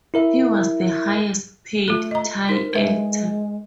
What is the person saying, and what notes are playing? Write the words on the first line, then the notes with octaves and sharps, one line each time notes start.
He was the highest paid Thai actor.
E4 A#4 E5
A3 F4 A4
D#5 A#5
D#4 A#4 C5
G#3 A#4 B4 E5